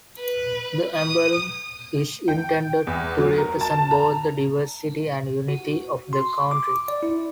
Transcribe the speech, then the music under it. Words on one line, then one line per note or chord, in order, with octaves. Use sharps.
The emblem is intended to represent both the diversity and unity of the country.
B4
D#6
G5
E2
F#3
A#4
A5
A#5
F#4
C6
D6
D5
E4